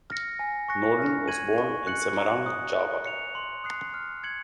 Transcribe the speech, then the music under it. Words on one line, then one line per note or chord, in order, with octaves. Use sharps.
Norden was born in Semarang, Java.
F6 A#6 C#7
G#5
C#6 F#6 A#6 C#7
F6
G#6 D#7 F#7
C#6
F#6 C#7 F#7
A#5
D#6 F#6
F#6
C#7 F7
C6
D#6 F#6 C7
F6
G#6 C#7 F#7